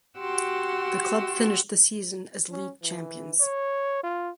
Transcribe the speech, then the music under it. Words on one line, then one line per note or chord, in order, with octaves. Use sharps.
The club finished the season as league champions.
F#4 G4 F#5 C6 E6
C#4
E3
C#5
F4